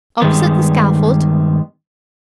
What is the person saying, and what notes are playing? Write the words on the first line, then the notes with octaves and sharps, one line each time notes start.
"Opposite the scaffold?"
G2 D#3 G3 G#3 B3